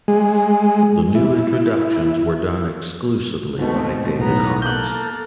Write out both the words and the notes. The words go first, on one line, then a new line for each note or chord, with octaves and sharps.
The new introductions were done exclusively by David Hobbs.
G#3
E4
G#2 B2 A3 C4
B1 A2 B3 A#5
A#3 A4 F#6 G6